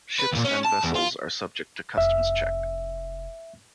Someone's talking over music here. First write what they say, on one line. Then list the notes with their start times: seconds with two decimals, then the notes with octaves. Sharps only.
Ships and vessels are subject to customs check.
0.20 B4
0.33 D#2 A#2
0.45 C#4
0.65 A5
0.83 E2
0.95 F4
1.98 F1 E5